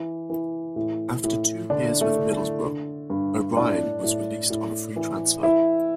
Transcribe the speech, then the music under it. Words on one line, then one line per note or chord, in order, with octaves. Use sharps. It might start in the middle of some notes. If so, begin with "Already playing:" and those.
After two years with Middlesbrough, O'Brien was released on a free transfer.
Already playing: E3
E3
A2
A2
D3 D4
A3
D3
A3
D3
G2
A2 D4
A2
A2
E3
E3 E4